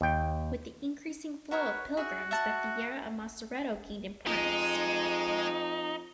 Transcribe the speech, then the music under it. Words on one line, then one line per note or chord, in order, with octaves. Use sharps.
With the increasing flow of pilgrims, the fiera of Macereto gained importance.
D#2 G5
F#4 A#4 B4 C#5
F#4 G#4 E5
E5 F#5 A5
F2 G#3 D#4